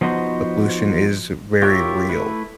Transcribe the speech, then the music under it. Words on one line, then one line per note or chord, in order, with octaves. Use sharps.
the pollution is very real.
F3 B3 D#4 F#4 C5
F4 G4 A#4 C#5 E5
A3 E4 B4